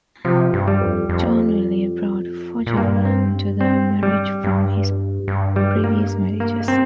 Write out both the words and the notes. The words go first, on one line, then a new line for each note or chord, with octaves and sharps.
John Willard brought four children to the marriage from his previous marriages.
C3 F3
G2
G3
F2
F2
A#2
G2 A#3
C4
C4
G3
G2
G2
G3
A#3
A#3
C4